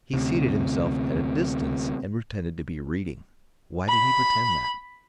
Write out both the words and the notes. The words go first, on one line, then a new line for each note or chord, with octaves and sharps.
He seated himself at a distance and pretended to be reading; why did he pretend that?
D2 C3
B5